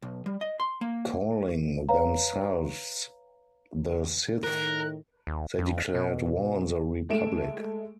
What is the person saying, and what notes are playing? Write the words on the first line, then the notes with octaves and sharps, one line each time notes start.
Calling themselves the Sith, they declared war on the Republic.
B1
G3
D#5
C6
A#3
B4 C#5 F5 A#5
A2 D#3 A#4 F#6
D#2
F2
B2
G#3 A3 D7 E7